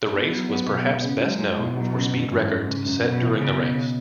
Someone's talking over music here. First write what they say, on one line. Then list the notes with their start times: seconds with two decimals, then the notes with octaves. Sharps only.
The race was perhaps best known for speed records set during the race.
0.12 B3 E4
0.30 F#3
0.49 F#3
0.66 B2
0.85 G#3
1.03 C#3
1.21 F#3 G#3
1.39 G#2
1.58 B2 E4
1.75 F#3
1.94 C#3
2.12 F#2
2.29 G#2 E3
2.48 F#2
2.67 C#3
2.85 F#2
3.03 B2 B3
3.20 E3
3.39 C#3 B3
3.57 B2
3.75 B2